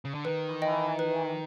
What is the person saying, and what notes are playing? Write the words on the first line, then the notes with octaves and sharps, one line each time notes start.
Ah, yeah.
C#3
D3
D#3 B4
D#5 G5
B4